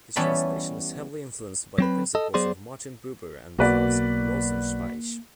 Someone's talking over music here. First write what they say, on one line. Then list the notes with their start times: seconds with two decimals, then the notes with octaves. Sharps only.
His translation is heavily influenced by the principles of Martin Buber and Franz Rosenzweig.
0.16 E3 G3 B3 C#4 A5 B5
1.78 F#3 C4 B4
2.15 A4 D#5
2.34 F#3 B3 G#4 C5 D5 C6
3.59 B1 B2 A#3 F#4 B4 D5